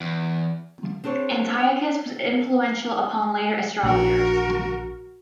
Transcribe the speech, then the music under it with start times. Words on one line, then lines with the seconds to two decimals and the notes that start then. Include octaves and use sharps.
Antiochus was influential upon later astrologers.
0.01 E2
1.04 C4 D4 G#4 C5 C#5
3.83 A#1 F#4 A#4